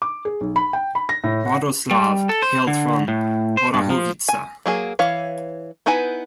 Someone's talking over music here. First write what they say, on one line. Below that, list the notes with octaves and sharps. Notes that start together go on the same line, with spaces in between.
Radoslav hailed from Orahovica.
D6
G#4
B1
B5
G5
B5
A#6
A2
F#5
G3
A4
C5
D3
A2
C5
G2
F3
G#5
F#3 A#3 G#4
E3 C#5 F5
B3 D#4 E4 B4 G#5